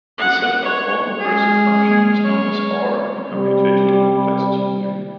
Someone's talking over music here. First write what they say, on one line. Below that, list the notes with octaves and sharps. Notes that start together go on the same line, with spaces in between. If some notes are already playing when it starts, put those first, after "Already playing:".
The set of all recursive functions is known as R in computational complexity theory.
F#5
C#5
G#3 G#4 F6
C#5
C3 G3